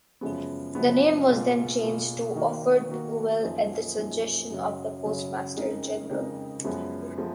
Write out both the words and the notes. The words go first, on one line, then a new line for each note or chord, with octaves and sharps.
The name was then changed to Orfordville at the suggestion of the postmaster general.
F#2 C#3 F3 G#3 B3
F#2 C#3 F3 G#3 B3
B2 A#3 F4 G#4
B2 A#3 F4 G#4
D#3 A#3 D#4 F#4 A#4
D#3 A#3 D#4 F#4 A#4
F#2 F3 A#3 D#4 G#4
F#2 F3 A#3 D#4 G#4
F#2 C#3 F#3
F#2 C#3 F#3
F2 C#3 G#3 D#4 A#4
F2 C#3 G#3 D#4 A#4
F#2 F3 G#3 B3
F3 G#3 B3